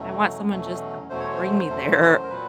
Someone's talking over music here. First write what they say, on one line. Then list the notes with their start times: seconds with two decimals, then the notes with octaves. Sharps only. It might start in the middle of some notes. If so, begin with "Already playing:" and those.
I want someone just to bring me there
Already playing: E2 B2 F#3 A3 C#4
0.49 E2 B2 F#3 A3 C#4
1.09 E2 B2 F#3 A3 C#4 C5
1.20 C#5
1.31 C5
1.69 E2 B2 F#3 A3 C#4
2.23 A#4
2.29 A#2 F#3 B3 B4